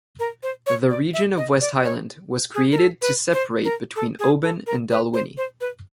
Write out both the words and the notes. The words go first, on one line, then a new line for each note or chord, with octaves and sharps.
The region of West Highland was created to separate between Oban and Dalwhinnie.
A#4
C5
C#5
D5
E5
D#5
D5
C#5
G#4
A#4
A4
B4
C5
A#4
A4
G#4
A4
A#4
B4
C5
C5
B4